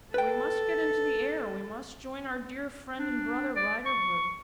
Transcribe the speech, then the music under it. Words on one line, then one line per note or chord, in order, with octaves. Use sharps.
We must get into the air; we must join our dear friend and brother, Riderhood.
A4 B4 G5
D4
D5
C#6